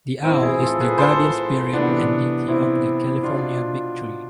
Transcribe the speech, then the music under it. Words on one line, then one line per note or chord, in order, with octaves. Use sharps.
The owl is the guardian spirit and deity of the California big tree.
A2 E3 C4 E4
E4 G#4
F4 A4
G#4 B4
A4 C5
C3 E3 B3 D4
C4 E4
B2 D4 F4